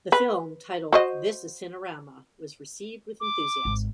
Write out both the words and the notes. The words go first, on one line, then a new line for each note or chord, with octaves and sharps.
The film, titled "This is Cinerama," was received with enthusiasm.
B4
F#4 C5 D#5
D6
G#1